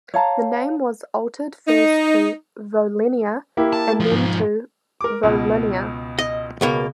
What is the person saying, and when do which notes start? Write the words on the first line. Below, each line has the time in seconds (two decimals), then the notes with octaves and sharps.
The name was altered first to "Volenia" and then to "Volinia".
0.14 C#5 F5 A5 A#5
1.68 D#4
3.57 A#3 E4 G4
3.73 A5
4.00 B1 F3
4.11 G#2
5.01 A#4 D6
5.23 C#2 B2
6.19 D#5
6.61 C#2 B2 A#3